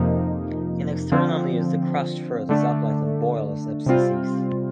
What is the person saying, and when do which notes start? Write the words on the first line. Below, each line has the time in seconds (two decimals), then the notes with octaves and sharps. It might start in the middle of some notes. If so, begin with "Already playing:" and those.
In external use, the crushed fruit is applied on boils, abscesses.
Already playing: F2 C3 F3 A#3 D#4
1.12 D3 F3 C4
2.49 D3 A3 D4
3.86 C3 G3 C4 F4